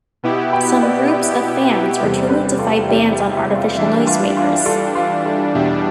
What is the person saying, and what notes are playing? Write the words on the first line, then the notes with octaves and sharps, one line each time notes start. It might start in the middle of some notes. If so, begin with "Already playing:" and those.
Some groups of fans routinely defy bans on artificial noisemakers.
B2 B3 E4 G4
G5 B5
B4 D5
B4 D5
E2 C3 G3 A4 C5
G4 B4
F4 A4
E4 G4
E4 G4
E4
F4
E3 G3 D4 E4
F4
F4
F4 A4
F4 A4
F4 A4
E2 B2 G3 D4 E4 G4